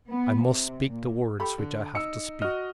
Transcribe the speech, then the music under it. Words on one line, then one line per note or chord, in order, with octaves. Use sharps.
I must speak the words which I have to speak.
B3
C3
A#2
G4 A4 B5
D3
D#4 E6 C#7
F#4 D#5 F6